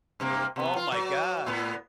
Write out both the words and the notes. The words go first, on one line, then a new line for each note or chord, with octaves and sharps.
oh my god.
G2 C3 A#3
C3 B3
F4
F#3
A2 B3